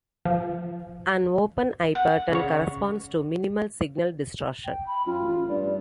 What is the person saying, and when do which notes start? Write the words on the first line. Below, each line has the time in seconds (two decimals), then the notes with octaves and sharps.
An open eye pattern corresponds to minimal signal distortion.
0.25 F3
1.95 F#5
2.32 C#3 C#5
4.65 G5
4.87 B5
5.06 F#2 F4
5.21 A1
5.49 G2 D5